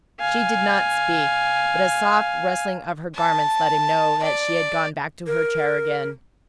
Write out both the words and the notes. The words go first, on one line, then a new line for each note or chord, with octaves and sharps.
She did not speak, but a soft rustling of her garments let him know that she had gone back to her chair again.
F5 G#5
A5
D5
A#4